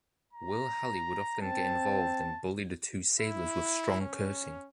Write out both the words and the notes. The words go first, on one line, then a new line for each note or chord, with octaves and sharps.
Will Halley would often get involved and bully the two sailors with strong cursing.
A#5
C4 A5
E4
C#4